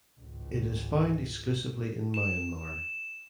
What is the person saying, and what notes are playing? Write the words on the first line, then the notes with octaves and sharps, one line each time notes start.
It is found exclusively in Myanmar.
G#1 C#2
E7